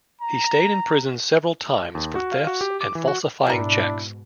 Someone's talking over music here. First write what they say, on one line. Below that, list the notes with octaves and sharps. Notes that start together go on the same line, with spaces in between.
He stayed in prison several times for thefts and falsifying checks.
A#5
D#2
F#4
F5
F#4
G4
D6
E3
F#4
G#2 B2 D4 E4 G#4 A#4